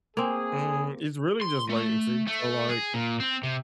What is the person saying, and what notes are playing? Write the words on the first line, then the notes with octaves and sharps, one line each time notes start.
Mm, it's really just latency so, like,
A#3 C4 G#4
C6
A3
A3
G#4
A#2
C4
C3